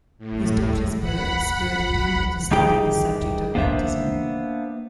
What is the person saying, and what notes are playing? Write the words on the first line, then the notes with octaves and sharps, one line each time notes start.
His daughter's birth spurred Campbell to study the subject of baptism.
A2
F#5 B5
D#3 G3 D#4 G4 G#4 G5
A#3 B3 D4 C5 E5